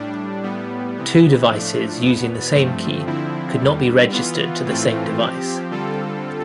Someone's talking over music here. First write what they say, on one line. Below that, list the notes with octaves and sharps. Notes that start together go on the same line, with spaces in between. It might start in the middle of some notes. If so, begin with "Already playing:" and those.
Two devices using the same key could not be registered to the same device.
Already playing: A2 G3 D4
A2 G3 B3
C3 E3 B3
A2 F3 A3 D4
E2 B2 B3
G2 F3 A3 C4
D3 F3 C4 E4
E2 D3 G3
E3 B3 F4
A2 E3 A3 C4 F4
F3 C4 G4
D3 G3 C4 F4 A4